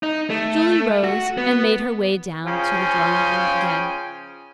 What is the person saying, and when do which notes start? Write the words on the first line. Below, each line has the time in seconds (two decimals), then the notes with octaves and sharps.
Julie rose and made her way down to the drawing-room again.
0.03 D#4
0.30 A3
1.04 F#4
1.38 B3
2.46 C#3 F3 C#4 F4 G5 G#5